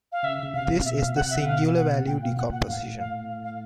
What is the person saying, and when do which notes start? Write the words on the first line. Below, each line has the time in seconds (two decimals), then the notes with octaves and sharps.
This is the singular value decomposition.
0.12 F5
0.23 C#3 E5
0.43 C#3
0.54 C3 F5
0.85 B2 E5
1.00 F5
1.15 C3 F#5
1.30 E5
1.41 F#5
1.46 B2 F5
1.76 F#5
2.06 A#2 G5
2.22 F5
2.29 B2
2.37 A#2 F#5
2.52 F#5
2.68 A2 F5
2.99 F5
3.29 F5
3.44 F5